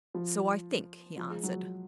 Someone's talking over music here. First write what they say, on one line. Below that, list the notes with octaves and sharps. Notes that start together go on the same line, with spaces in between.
'So I think,' he answered.
F3
F3
G#3
F#3